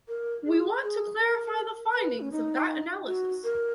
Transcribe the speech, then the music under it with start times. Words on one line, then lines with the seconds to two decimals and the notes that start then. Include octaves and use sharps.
We want to clarify the findings of that analysis.
0.08 A#4
0.46 G#4
0.83 G#4
1.21 A#4
1.95 B4
2.20 C#4
2.32 D#4
3.07 F#4
3.44 A#4